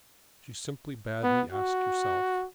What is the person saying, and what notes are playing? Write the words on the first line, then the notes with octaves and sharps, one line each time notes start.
She simply bade me ask yourself.
B3
F#4